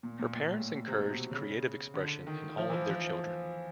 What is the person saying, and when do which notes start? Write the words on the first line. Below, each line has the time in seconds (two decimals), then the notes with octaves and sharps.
Her parents encouraged creative expression in all their children.
0.03 A#2
0.19 A#2
0.36 A#2
0.51 A2
0.88 C3
1.10 B2
1.31 C#3
1.94 D3
2.27 D#3
2.58 F3
2.70 E3
2.74 F3
2.89 F3